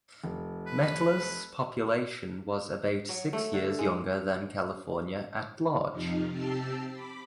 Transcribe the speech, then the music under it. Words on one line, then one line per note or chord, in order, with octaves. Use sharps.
Mettler's population was about six years younger than California at large.
F1
B4
F#3
A3
D3
G#3
F2 C3 F3 D#4 F4
C3 C4 G4 A5 E6 C7
B5 D6 B6